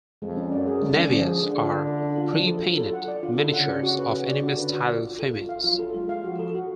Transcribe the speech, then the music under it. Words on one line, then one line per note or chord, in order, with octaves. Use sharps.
"Navias" are prepainted miniatures of anime-style females.
F2 G#3
C#4
F#2 D5
G#4
D3 G#3
C#4
F3 D5
G#4
D3 D4
F4
D5
A4
D4
F4
F3 D5
A4
F#3 F4
A4
F#5
D5
D3 F4
A4
C#3 F#5
D5
F#4
B4
F#4
D5
D3 F#4
B4
F#4
D5
F4
A4
F4
F5
F#3 F4
A4
G#3 F4
F5
F3 F#4
A4
F#4